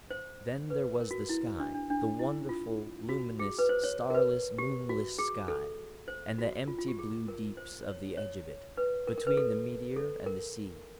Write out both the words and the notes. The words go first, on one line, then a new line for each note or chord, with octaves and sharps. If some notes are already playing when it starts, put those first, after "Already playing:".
Then there was the sky, the wonderful, luminous, starless, moonless sky, and the empty blue deeps of the edge of it, between the meteor and the sea.
C5
B4
A#4
F#4
E4
D4
D4
D4
E4
F4
F#4
G#4
B4
C5
C#5
A#4
B4
G4
F#4
G#4
A4
C5
F#4
F4
F4
G4
G#4
A#4
C5
C#5
C#5
B4
A#4
A#4
B4
A4
A4
A#4